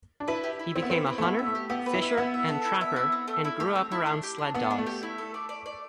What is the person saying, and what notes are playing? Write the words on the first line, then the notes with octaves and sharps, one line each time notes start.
He became a hunter, fisher, and trapper, and grew up around sled dogs.
D4
E4 B4
G4
E4
C4 E4
B3
C4 B4
E4
A3
B3 E4
E5
A3
G4
B3 G4
B4
E4
E5
B3 E4
E5
A4
E4
E5
E4
C4
A3
E4
A3 G4
C4
E4
D4
G4
D4
B3 D4
D4
A3
G4
E4
A4
D5
D5
D5